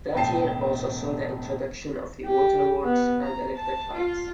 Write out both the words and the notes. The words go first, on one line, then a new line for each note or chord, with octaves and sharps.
That year also saw the introduction of the "Water Works" and electric lights.
E1 A2 G5 A5 C7
G4
B3
A#5
A5
F4